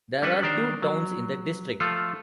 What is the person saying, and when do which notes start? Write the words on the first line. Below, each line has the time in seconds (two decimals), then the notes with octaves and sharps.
There are two towns in the district.
0.22 G3 C#4 D4 A4 B4 F#5
0.43 D#3 D4 A#4 C5
0.82 F#3
1.80 F3 A3 F4 A4